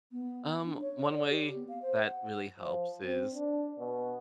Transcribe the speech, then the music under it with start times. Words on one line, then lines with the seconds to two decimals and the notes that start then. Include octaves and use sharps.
Um, one way that really helps is
0.12 B3
0.65 D4
0.81 C#5
1.11 D5
1.29 G4
1.55 B3
1.68 F5
1.82 C5
2.05 F#5
2.59 F3
3.03 C4
3.34 D4
3.79 B2